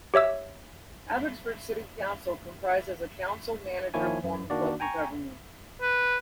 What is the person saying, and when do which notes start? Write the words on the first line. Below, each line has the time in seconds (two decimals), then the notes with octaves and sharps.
Abbotsford City Council comprises a council-manager form of local government.
0.14 G4 C#5 E5 E6
3.94 D#3 F3 A#3 E4 C#5 G#5
4.24 F#2
4.50 D#3 A#3 D4 F#4 D5
4.80 G5 G#5 A#5 C#6
5.81 B4